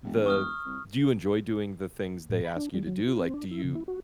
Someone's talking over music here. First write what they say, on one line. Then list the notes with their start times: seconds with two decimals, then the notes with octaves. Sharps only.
the do you enjoy doing the things they ask you to do, like, do you
0.04 E1
0.26 C#6 D#6 F6
0.65 C2
2.29 A2
2.45 B5
2.56 D4
2.74 G3
2.86 F#3
3.07 F4
3.19 C4
3.34 D4
3.51 E4
3.64 C#3
3.75 E4
3.88 F#4